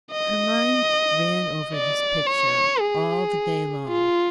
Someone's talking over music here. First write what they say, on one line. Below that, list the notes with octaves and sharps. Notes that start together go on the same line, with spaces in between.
Her mind ran over this picture all the day long.
D#5
D5
C#5
G#4
F4